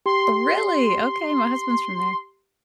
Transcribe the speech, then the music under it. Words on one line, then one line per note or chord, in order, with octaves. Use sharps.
Really? Okay, my husband's from there.
G4 C6